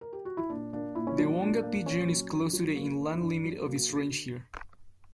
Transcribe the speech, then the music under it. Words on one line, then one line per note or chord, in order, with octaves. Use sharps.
The wonga pigeon is close to the inland limit of its range here.
A#4
G4
F#4
E4
A#2 D4
A#3 D4
A#2 E4
C#4
F#3 D4
A#2 D4
A#3
A#2 C#4
F#3
G2
F#3
A#3
D3
E4
G2 D4
F#3
A#3 F#4
D3